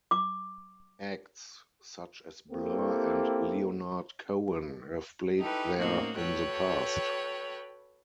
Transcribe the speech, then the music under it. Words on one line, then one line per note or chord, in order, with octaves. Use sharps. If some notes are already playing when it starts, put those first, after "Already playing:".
Acts such as Blur and Leonard Cohen have played there in the past.
D6
A#3 C4 E4 G4 A4
D#4 E4 G4 A4 B4
A2 A#3 C4 C#4 D#4 F#4
F#4 A4 B4 C#5 G5